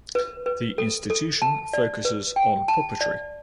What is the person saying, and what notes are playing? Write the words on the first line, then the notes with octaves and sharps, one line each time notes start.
The institution focuses on puppetry.
B4
B4
A4
A4
A5
D5
B4
G5
A5
D5